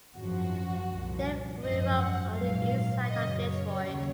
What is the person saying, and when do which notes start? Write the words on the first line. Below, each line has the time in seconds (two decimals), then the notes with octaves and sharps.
Dave grew up on the eastside of Detroit.
0.16 G#1 F#2 F3 F#4
0.89 C2 A#2 F3
1.62 G#1 F#2 F3 D#5
1.99 F#5
2.35 A#1 G#2 F#3 F5
3.08 F#2 C#3 F#3 D#5
3.45 C#5
3.81 D#2 C#3 F#3